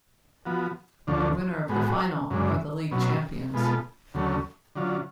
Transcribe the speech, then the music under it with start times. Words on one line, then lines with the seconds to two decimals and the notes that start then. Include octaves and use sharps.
The winner of the final are the league champions.
0.46 F3 B3 F#4
1.07 D2 D3 F3 A3 C#4
1.69 A2 G#3 B3 F#4
2.31 F#2 C#3 G#3 D4
2.91 B2 F#3 C#4
3.54 B2 G#3 B3 F4 A4
4.14 D2 C#3 F#3 A3 C#4
4.75 D3 F#3 C#4 F4